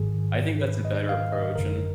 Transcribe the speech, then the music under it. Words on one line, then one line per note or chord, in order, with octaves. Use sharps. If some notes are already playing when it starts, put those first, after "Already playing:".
I think that's a better approach, and
Already playing: G#1 G#2 D#3 G#4
B4
D#5
F5
D#5
G#1 F#2 D3 A#4